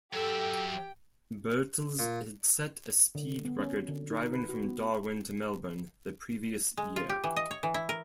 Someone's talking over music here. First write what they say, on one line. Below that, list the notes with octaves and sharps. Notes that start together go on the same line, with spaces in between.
Birtles had set a speed record driving from Darwin to Melbourne the previous year.
F#3 G4 A4 E5 G5
A#2
D3
B3
C#4
F#4
D3
D#4
B4
F#4
B3
G#3
F4
G4
E3
D#5
C#5
E3
E4
A#4